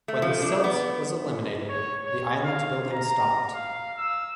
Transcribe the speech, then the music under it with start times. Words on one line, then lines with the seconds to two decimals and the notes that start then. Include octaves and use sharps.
When the silt was eliminated, the island-building stopped.
0.08 A3
0.22 F3
0.42 D4
0.64 B3
1.70 C#5
2.06 C#5
2.45 F5
2.93 A#5
3.54 F5
3.98 E6